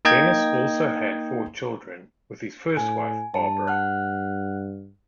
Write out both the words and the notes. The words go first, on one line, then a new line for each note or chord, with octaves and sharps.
Dennis also had four children with his first wife Barbara.
A#3 D#4 D#5 G5 G#6
A2 G#5
G2 A5
F#5 F6 F#6